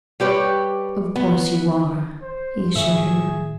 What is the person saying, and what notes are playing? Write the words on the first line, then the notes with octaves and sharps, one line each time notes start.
"Of course you are," he assured her.
G3 G4 B4 C#5
B3
C5
A2 D#3 A3 G#4 E5 C#6